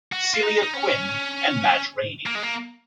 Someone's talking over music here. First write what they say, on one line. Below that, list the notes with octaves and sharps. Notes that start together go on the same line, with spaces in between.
Celia Quinn and Madge Rainey.
F#4
F4
D#4
D#4
C#4
A#3
G#3
A#3